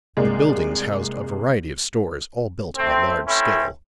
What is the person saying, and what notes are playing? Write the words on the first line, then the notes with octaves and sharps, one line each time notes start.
The buildings housed a variety of stores, all built on a large scale.
C2 G#3 A#3 D5
A3 C4
E3 A3 C4 C#4 E4